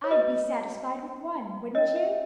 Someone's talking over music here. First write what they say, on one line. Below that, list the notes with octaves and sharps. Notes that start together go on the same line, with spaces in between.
I'd be satisfied with one, wouldn't you?
C#5
F#4 B4 D#5
C#4 E4 A#4 C#5 D#5
E5